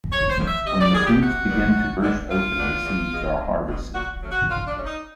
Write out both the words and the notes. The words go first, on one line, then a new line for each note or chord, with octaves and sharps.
When the fruits begin to burst open, the seeds are harvested.
C3 C#5
C5
D#3 F#3 A3 C#4
E5
C3 D#5
D5
D#3 G3 B3 G#4
G4
C3 F#4
D#3 G3 B3
F#2
D#3 G#3 B3 D4
F#2 F4
D#3 G#3 B3 D4
E2
B2 G#3
E2
B2 G#3
A#2 F#4
F#3 A3 C#4
F#4
A#2 F4
D4
F#3 A3 C#4
D#4